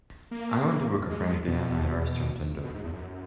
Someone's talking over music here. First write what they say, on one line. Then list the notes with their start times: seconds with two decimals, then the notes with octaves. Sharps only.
I want to book a French Guiana restaurant indoor.
0.31 A#3
1.09 G#3
1.47 B2
2.64 B2
2.74 G#2
2.84 E2
2.93 F#2